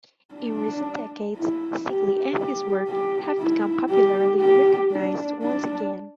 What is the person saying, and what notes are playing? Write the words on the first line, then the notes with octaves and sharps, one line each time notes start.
In recent decades, Stickley and his work have become popularly recognized once again.
D4
E4
G4
G4
G4
E4
G4
G4
D4
D4